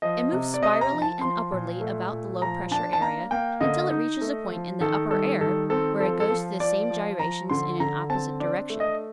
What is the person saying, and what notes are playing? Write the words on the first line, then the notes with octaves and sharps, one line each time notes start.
It moves spirally and upwardly about the low-pressure area until it reaches a point in the upper air, where it goes through the same gyrations in an opposite direction.
F3 D#5
C3
D5
C3 D#5
A#5
F3
A5
F3 C6
A#2
A3
A#2
F3 A#5
D4 A5
A5
A#3 A#5
A#3 G5
D3 D#5
D#4
A3
F3
D#3 A4
G3 A4
D#3 A4
C4 A4
F3 A4
A4
F3
F3 D5
F3
F3 A#5
D3 C6
D3 A#5
C4 A5
D4 D5
A3
D#5